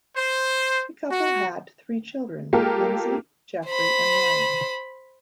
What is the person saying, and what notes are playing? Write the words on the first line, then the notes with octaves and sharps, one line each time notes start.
The couple had three children: Lindsey, Jeffrey, and Ryan.
C5
F#4
G#3 A#3 F4 G4 A4 A#4
C5 B5